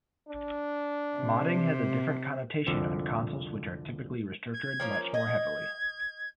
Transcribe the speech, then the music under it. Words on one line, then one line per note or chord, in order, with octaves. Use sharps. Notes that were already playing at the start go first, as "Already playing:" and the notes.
Modding has a different connotation on consoles which are typically restricted much more heavily.
D4
C3
C2 F2 D3 F3
G#6
F3 A#3 C#4
D#5 G#6